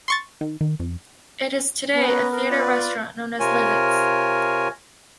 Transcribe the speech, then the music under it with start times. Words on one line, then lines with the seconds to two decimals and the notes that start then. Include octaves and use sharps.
It is today a theatre-restaurant known as "Lizottes".
0.08 C6 C#6 A6
0.41 D#3
0.61 D#3
0.80 F2
1.94 B3
2.08 C#4 B4 A#5
2.32 A#4
2.50 F4 B4 D5
3.40 C3 F4 A#4 C#5 G#5